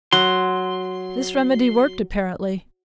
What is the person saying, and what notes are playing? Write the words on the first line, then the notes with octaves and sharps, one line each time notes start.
This remedy worked, apparently.
F#3 C6